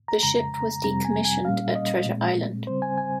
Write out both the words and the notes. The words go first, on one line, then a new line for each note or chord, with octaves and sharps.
The ship was decommissioned at Treasure Island.
A#5
F2 C#3 G#3 A#5
A#5
F2 C3 G3 C4 A#5
G#5
G#5
A#2 G3 A#3 C#4 F5
D#5
A#2 G#3 C4
C#3 G3 C4 C5
G#5
G#5